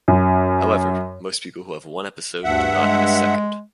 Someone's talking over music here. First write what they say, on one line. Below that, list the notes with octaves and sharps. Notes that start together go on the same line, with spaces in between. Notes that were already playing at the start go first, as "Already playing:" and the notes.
However, most people who have one episode do not have a second.
F#2
D2 G2 E5 F#5
G#3